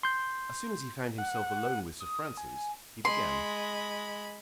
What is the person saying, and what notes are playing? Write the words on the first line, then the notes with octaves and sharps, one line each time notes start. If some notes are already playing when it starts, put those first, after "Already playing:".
As soon as he found himself alone with Sir Francis he began.
C6 G6
F#5
D#6
G#5
G#5
G#3 B5 C6